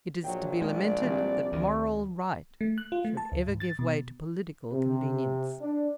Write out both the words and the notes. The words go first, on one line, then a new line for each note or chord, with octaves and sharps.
It is to be lamented that moral right should ever give way to political convenience.
A#1 F#3 G5
G#3 D5
E3 G3 C4
D2 D#3
A3
F#6
F4
A3
A5
C#2
G#2
A6
B2
C3
D4